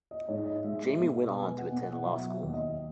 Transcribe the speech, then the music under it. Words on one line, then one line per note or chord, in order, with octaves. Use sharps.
Jamie went on to attend law school.
D#5
G#2 C#5
D#5
G#3 E5
B2
B3 G#5
F#5
B2
F#5
F#3 E5
D#2
D#5